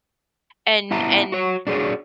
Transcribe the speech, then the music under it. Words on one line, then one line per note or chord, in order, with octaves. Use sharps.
And and,
B3 E4 E5 A5 A#5
F#4 C#5
D4 F#4 G#4 C#5 D5